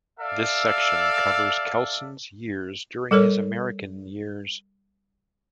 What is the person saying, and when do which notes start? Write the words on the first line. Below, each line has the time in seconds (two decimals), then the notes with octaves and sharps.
This section covers Kelsen's years during his American years.
0.20 A4 D5 E5 F5
3.11 G3 A4 A#4 C#5